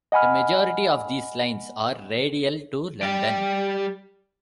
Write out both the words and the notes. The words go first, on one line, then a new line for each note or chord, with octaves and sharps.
The majority of these lines are radial to London.
D#5 F#5 G#5 B5 F6
G3 G4